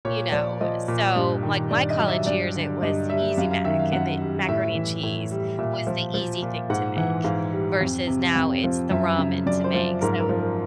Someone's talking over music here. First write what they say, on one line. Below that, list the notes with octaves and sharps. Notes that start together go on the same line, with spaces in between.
you know? Eh, so, like, my college years, it was the Easy Mac, and the macaroni and cheese was the easy thing to make, versus now it's the ramen to make, so
A#2 C#5
F3 D5
F3 D#5
A#2
G2
D#3
G2 D5
D#5
F#3
E5
G2 D5
D3
G2 D#5
G3 E5
F#2 F5
F5
D#3 E5
F5
F#2 F#5
G3
A2 E5
E3
A2
G3
A#2 E5
F3
F3
A#2
G#2 F#5
E3 F#5
G#2 F5
G3
F2
C3
F2
F3
F#2 E5
C#3
F#2 D5
C5
F3
G#2 A#4
A#4
F3
A#4